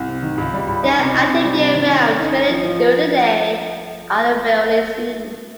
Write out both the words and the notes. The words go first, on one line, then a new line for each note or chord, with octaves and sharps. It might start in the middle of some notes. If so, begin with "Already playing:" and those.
They are active year-round, mainly during the day, but are rarely seen.
Already playing: C2
C3
D#3
C#2
G3
C#2
D#4
C3
D#4
C3
G3
C3
D#3
C#4
C#4
D#4
D#4
F3
F3